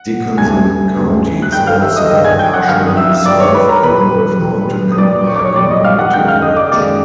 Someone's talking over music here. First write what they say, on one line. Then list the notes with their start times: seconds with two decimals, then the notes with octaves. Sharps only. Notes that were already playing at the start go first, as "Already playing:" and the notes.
Dickenson County is also partially served, along with Mountain Empire Community College.
Already playing: F#5
0.37 D#2 C#3 F#3 A3 G#5 G#6
0.95 D#2 C#3 F#3 A3
1.42 F#6
1.52 G2 D#3 G3 G5 G6
1.67 F5 F6
1.81 E5 E6
1.96 D#5 D#6
2.10 G2 D#3 G3 D#5 D#6
2.25 G#5 G#6
2.39 G5 G6
2.54 F#5 F#6
2.68 G2 D#3 G3 F5 F6
2.87 D#6
2.96 E5 E6
3.25 G2 D#3 G3 D5 D6
3.40 C#5 C#6
3.54 B4 B5
3.69 A#4 A#5
3.83 A#2 G3 B4 B5
4.41 A#2 G3
4.92 D#6
4.98 A#2 G3 D5 D6
5.27 C#6
5.36 D6
5.45 C#5 C#6
5.55 A#2 G3 D5 D6
5.70 D#5 D#6
5.84 F5 F6
5.99 F#5 F#6
6.13 F#2 D#3 G#3 G5 G6
6.28 F5 F6
6.42 D#5 D#6
6.57 D5 D6
6.71 F#2 D#3 G#3 D5 D6